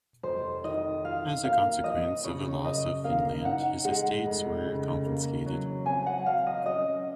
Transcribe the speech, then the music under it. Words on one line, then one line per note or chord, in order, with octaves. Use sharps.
As a consequence of the loss of Finland his estates were confiscated.
F1 C5
D#3 D#5
F4 F5
A#3 F5
F3 D#5
C#3 C#5
F#2 D#5
A#3 F5
D#4 F#5
G#3 F#5
F1
C#3
A#3
F#3
C4 G#5
F#5
F#3 F5
D#5
C#4 D#5